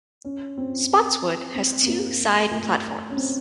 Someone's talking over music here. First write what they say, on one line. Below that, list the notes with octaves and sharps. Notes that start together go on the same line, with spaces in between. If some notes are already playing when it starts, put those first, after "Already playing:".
Spotswood has two side platforms.
C#4
C4
C4
C4
A#3
A3
C#4
C4